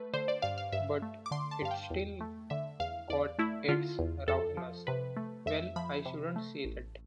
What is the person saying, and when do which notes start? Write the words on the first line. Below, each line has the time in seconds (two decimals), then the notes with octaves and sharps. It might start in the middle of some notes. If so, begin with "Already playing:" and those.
But it's still got its rawness...Well, I shouldn't say that.
Already playing: A3 B4
0.14 D3 C5
0.28 D5
0.42 G2 F5
0.58 F5
0.72 G2 E5
1.02 A3
1.26 D6
1.31 D3 C6
1.51 A5
1.62 G2 F5
1.71 G5
1.90 E2
2.21 A3
2.50 D3 E5
2.80 E2 F5
3.10 E2 D5
3.39 A3 E4
3.68 D3 F4
3.99 E2
4.28 F2 A4
4.57 F3
4.87 C3 B4
5.17 A3
5.46 F2 E5
5.76 F3 B5
6.05 C3
6.36 A3
6.65 A1